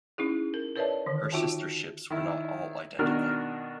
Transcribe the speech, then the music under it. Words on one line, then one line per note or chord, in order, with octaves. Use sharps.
Her sister ships were not all identical.
C#4 D#4 E4 G#4
A#4
A#4 B4 C#5 D5 E5 A5
D3 D#3
D#4 F4 F#4 E5 G5 A5
D#3 E4
B2 D#3 D4 F#4 A#4 F6